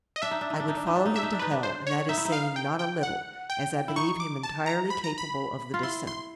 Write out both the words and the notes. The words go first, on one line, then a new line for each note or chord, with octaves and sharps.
"I would follow him to hell, and that is saying not a little, as I believe him entirely capable of the descent."
D#5
D4 E5
D#4
D4
D#4
D4
D#4
D4
D#4
D4
D#4
D4 E5
D#4
D4
D#4 B4
D4
C5
C#5
D#4 E5
E4
D#4
F5
G5
G5
F#5
G5
E4
D#4 C#6
D6
A5
A#5
B5
A#5
B5
F4
E4 C6
C6